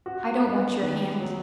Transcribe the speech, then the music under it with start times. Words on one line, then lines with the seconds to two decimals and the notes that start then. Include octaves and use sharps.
I don't want your hand.
0.06 F#4
0.45 B3
0.82 D#3
1.20 F#3